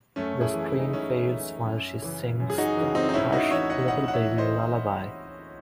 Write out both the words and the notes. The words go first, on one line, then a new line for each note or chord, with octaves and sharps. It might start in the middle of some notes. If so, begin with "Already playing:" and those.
The screen fades while she sings the "Hush, Little Baby" lullaby.
F#2 A3 C#4
E4 G#4
E3
E4
D#4
F#2 C#4 E4
E3
F#2
C#3 E3
F#2
G#4
D#4 F#4
C#3 E3
C4 D#4
D#4
A2 C#4 E4
D#4 F#4
E3 C#5 E5
D#5 F#5
A2 D#5 F#5
F#5
C#5 E5
E3
C5 D#5